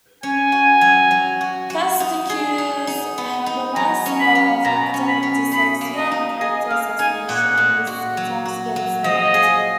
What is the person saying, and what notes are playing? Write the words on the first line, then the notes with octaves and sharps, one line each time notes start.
Fest accused Habermas of "academic dyslexia" and "character assassination" in his attacks against Nolte.
C#4 G#5
F#4
F#3
F#3
F#4
F#4
D#4
G#4
D#4
D#4
B3
D#4
F#3 A#5
C#4
B5
C#4
B2 A#5
C#4
B5
C#4
D#4 B5
A#3
D#5
D#4
G#4 D#5
A#3 F5
D#4 G#5
A#2 F#5
A#2
F#4
F#3
F#4
F#3
F3 D#5
G#4